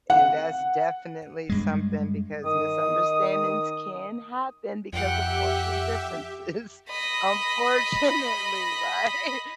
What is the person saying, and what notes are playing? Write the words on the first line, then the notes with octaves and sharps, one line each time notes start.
and that's definitely something because misunderstandings can happen because of cultural differences, unfortunately, right?
F#5
G2 G#3
D#3 D#6
F2 G4 E5 F#5 G5
D#5 B5